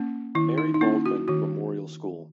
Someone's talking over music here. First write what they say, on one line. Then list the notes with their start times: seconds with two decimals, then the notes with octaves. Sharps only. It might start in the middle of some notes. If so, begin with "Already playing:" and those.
Mary Baldwin Memorial School.
Already playing: A#3 C#4
0.35 D#3 E4
0.58 D#4
0.74 D#4
0.81 A#3 C#4 E4
1.06 F#4
1.28 D#3 F#4